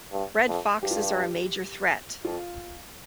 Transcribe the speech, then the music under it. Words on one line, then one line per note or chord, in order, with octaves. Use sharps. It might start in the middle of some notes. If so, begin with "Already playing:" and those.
Red foxes are a major threat.
G2
F2
G2 G4
F4
G4
F2 F4